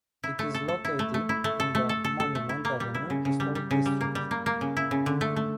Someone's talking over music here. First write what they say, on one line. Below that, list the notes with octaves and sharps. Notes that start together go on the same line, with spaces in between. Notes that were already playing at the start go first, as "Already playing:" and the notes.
It is located in the Monument Avenue Historic District.
E4
A3
A4
A4
E4
A3
A3
E4
A3
A4
A3
A4
A4
A4
A3
E4
A#3
G3
E4
C#3
C#3
G3
G3
C#3
G3
A#3
G3
A#3
A#3
C#3
E4
C#3
D3
A3
A3